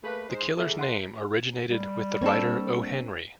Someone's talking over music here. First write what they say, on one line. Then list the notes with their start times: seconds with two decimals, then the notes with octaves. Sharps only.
The killer's name originated with the writer O. Henry.
0.04 A3 A#3 G#4 B4
0.29 G#3 D#4 C5
0.57 E2 A4 E5
0.79 F#5 C6
1.68 G3
2.21 A#3 C4 D4 A4 C#5